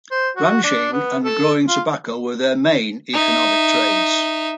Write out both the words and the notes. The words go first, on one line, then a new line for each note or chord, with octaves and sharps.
Ranching and growing tobacco were their main economic trades.
C5
F#4
D4
B3
A4
F4
D#4 E5